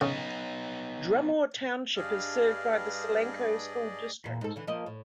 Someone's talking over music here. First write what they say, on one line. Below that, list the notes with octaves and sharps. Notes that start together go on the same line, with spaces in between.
Drumore Township is served by the Solanco School District.
C#3 B3 D#4
G2 G#4 D5 D#5 F5
E2 A#2
G#2 A4
D3 E3
F3 A#3 D#5
A2